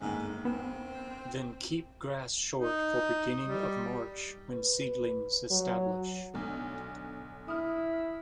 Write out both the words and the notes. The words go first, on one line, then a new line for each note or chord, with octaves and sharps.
Then, keep grass short for beginning of March when seedlings establish.
G1 D#2 G#2
B3 C4
D#4
G3
B4
F#3
B1 D3
E4 D#6 F6